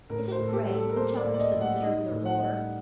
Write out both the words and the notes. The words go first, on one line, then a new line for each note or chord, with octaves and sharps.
"Is it grey!" challenged the visitor, with a roar.
A2 A#4
C5
A2
A4
G4
G3
A4
A#4
A#3 C5
D5
A2
D5
D#5
A2
F#5
D#4 D#5
A2
F#5
G3 D#5
F#5